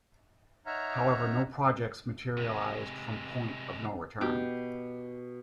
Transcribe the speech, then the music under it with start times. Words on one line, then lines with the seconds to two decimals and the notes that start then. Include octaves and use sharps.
However, no projects materialized from Point of No Return.
0.66 D#4 C#5 E5 F#5 A#5 F6
2.37 C3 G#3
4.21 B2 G4 D6